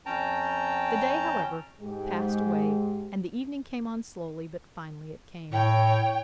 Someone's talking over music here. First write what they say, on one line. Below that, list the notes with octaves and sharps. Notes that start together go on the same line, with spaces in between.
The day, however, passed away; and the evening came on slowly, but finally it came.
F2 C#4 G5 A5 A#5
G#2 G#3 G4
A2 C#5 G5